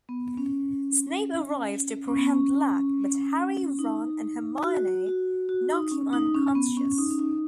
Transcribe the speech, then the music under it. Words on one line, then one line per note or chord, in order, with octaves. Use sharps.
Snape arrives to apprehend Black but Harry, Ron, and Hermine knock him unconscious.
B3
C#4
C#4
B3
C#4
D#4
F#4
F#4
F#4
D#4
C#4
D#4
C#4
B3
C#4
D#4
C#4
D#4